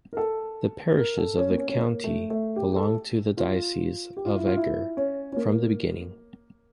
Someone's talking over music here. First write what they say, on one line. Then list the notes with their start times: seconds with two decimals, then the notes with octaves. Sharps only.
The parishes of the county belonged to the Diocese of Eger from the beginning.
0.13 A#4
0.17 A4
0.97 A#4
1.18 A4
1.38 C#4
1.50 A#3
1.58 C#4
1.69 C#4
1.77 A#3
2.04 A3
2.30 A3
2.56 G4
2.72 G4
2.76 A4
3.37 F4
4.17 G4
4.26 F4
4.36 E4
4.46 F4
4.56 E4
4.97 C#4
5.32 C#4
5.37 A#3